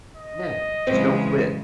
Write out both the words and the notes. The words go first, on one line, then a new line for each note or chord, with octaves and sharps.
Yeah. Just don't quit.
D#5
A2 C#3 E3 F#3 G#3 C4